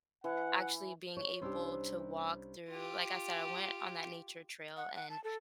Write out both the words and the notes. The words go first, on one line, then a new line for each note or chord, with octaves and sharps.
actually being able to walk through like I said, I went on that nature trail, and
E3 F#5
C#5
C2 C#4 D4 G4 C6 E6
F4 G4
F#5
F#5
A5
A4